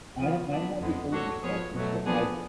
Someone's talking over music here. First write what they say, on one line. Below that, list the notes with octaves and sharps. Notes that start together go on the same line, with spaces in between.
I I am on the older spectrum, so I
C#3 F3 B3
F#3 B3 D4
F2 D3 G#3 B3
G#3 D4 F#4 A4 C#5
F3 B3 F4 G#4 C#5
B2 F#3 A3
F3 B3 D4 G#4